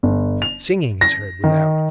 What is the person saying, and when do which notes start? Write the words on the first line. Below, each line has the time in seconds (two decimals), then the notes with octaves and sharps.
Singing is heard without.
0.03 G1
0.42 F7
1.01 A#6
1.44 D#3